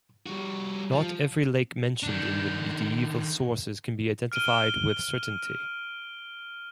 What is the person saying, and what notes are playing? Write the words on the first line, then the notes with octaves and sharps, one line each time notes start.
Not every lake mentioned in medieval sources can be identified with certainty.
G3 F#4
F3
D#3 D4
F6 D7 D#7 G7